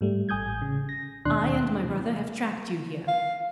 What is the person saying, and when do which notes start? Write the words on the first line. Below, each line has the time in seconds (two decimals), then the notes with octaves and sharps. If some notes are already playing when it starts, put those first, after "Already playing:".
I and my brother have tracked you here.
0.01 G#2 G3 A3
0.29 A1 G#5 D#6 G6 G#6
0.62 C#3
0.89 A#6
1.25 D#2 B2 D4 C6 F#6
1.84 C3 E3
3.08 F5